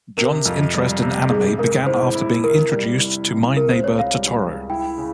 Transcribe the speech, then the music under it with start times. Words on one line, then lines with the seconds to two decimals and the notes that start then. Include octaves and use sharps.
John's interest in anime began after being introduced to My Neighbor Totoro.
0.17 C3 A#4
0.46 F2
0.74 G3
1.02 C3
1.30 G#2 G#4
1.58 G#2 A#4
1.87 E4 C5
2.15 E4
2.44 C3 A#4
2.72 G3
3.00 E4
3.28 C3
3.56 C#2 A#4
3.70 C5
3.84 C#2 C#5
3.99 F5
4.13 G3
4.42 C#2
4.70 E4 G5
4.98 C#3